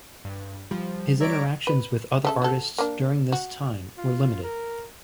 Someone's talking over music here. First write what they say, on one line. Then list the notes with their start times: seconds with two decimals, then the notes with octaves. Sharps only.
His interactions with other artists during this time were limited.
0.25 G2
0.71 F3 G3
1.21 C#5 D5 E5 A#5 D7
1.67 B4
2.25 C#3 A4 E5
2.42 F#4 A4
2.78 A#3 D4
3.32 F#4
3.98 F4
4.43 A#4